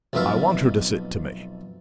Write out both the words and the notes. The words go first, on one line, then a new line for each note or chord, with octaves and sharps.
I want her to sit to me.
B1 F2 A3 B3 E5 F5